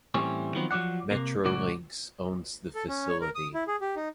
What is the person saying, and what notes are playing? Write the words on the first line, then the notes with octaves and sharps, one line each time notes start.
Metrolinx owns the facility.
A2 E3 G3 C4 C#4
D#3 F3 F#3 B3 C4
F3 F#3 D4 D5 F#5
C3 A#3
C#2 A2 F#4 D5
A4
C#4
C#5
A#4
D#6
E4
G#4
G4
D#4